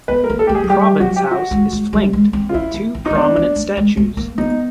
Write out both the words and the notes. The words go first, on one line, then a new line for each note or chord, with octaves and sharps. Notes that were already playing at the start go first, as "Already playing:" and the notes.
Province House is flanked with two prominent statues.
B3 B4
A#4
A#3
A4
A3 G4
G#4
F#3
G3 G4
G4
F#3 F#4
G4
F#4
G#3
G#3
G3
G#3
C4
F4
C#4 E4
C4
C4
A#3 D#4
B3 D4
B3
A3
G#3
A3
A#3
B3 D#4